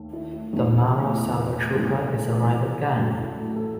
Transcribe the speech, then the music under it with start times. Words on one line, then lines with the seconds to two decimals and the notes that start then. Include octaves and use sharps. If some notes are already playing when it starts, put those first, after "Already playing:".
The Mara Salvatrucha is a rival gang.
Already playing: D#2 A3
0.13 E4
0.33 E4
0.53 E2 B2 A3 D#4
1.14 E4
1.74 A1 A2 E3 A3 G#4
2.96 A1 A2 F#3 A3
3.56 A4